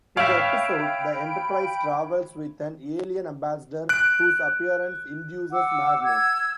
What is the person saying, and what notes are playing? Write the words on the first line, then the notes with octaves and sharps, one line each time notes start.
In the episode, the "Enterprise" travels with an alien ambassador whose appearance induces madness.
C#5 E5 F5 G5 B5 D7
F#6 D7
F#5 D6 E6
E6 G#6